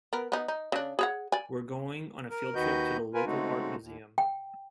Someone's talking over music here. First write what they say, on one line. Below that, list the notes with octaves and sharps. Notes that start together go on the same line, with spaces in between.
We're going on a field trip to the local art museum.
B3 A#4
B3 D#4
D#4
C#3 D4
G#4 C#5 F#5
D5 G#5
A#4
D#2 D#3 F#4 B4 D#5 G6
F4 A#4 B4 G#5
C#3 G#3 A3 C4 D#4 F#4
D#2
G5